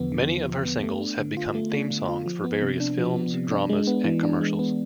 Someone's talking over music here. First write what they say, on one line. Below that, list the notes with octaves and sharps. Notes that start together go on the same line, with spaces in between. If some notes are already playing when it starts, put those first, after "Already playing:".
Many of her singles have become theme songs for various films, dramas, and commercials.
Already playing: E2 D3 F3 B3
D3
F3
E2
B3
A3
D4
D3
F4
A3
D4
D3
F4
F3
B3
C3
D4
F3
B3
C3
D4
G#3
B3
E3
D4
G#3
B3